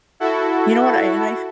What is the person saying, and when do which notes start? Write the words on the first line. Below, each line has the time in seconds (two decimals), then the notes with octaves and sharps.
You know what? I and I f
0.20 E4 F#4 A4